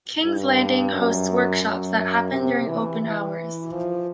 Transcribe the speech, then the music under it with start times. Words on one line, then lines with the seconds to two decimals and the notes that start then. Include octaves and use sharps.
Kings Landing hosts workshops that happen during open hours.
0.24 G2
0.93 F#2
1.63 F#2
2.32 C3
2.67 E3
3.01 E3
3.72 F3